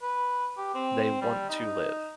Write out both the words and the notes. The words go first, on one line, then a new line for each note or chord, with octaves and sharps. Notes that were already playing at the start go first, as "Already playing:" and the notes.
They want to live.
B4
G4
C4
G3
D#4